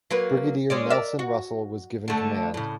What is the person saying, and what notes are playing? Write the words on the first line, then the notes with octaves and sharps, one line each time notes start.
Brigadier Nelson Russell was given command.
F#3 A#3 B4
G#3 C#4 D5
A#4 D5 E5
F#4
D3 A3
A2 C#3